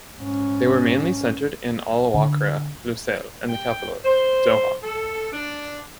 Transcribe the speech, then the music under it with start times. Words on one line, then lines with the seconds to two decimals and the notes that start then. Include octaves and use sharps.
They were mainly centered in Al Wakrah, Lusail and the capital Doha.
0.19 G#2 C#4
2.14 D3
3.49 G5
4.04 C5
4.83 A4
5.33 D4